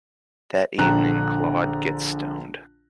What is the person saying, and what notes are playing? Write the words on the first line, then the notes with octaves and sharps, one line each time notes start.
That evening, Claude gets stoned.
A#1 D3 A#5 F#6